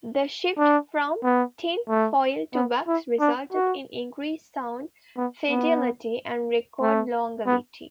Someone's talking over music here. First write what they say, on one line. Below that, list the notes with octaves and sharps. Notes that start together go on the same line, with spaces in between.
The shift from tinfoil to wax resulted in increased sound fidelity and record longevity.
D4
B3
A3
B3
E4
D4
F#4
B3
B3
A3
B3